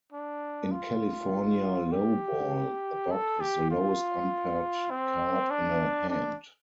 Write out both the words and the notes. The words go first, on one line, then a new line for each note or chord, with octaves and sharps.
In California lowball, the bug is the lowest unpaired card in a hand.
D4
F4
G4
A4
G4
F4
C4
D4
D4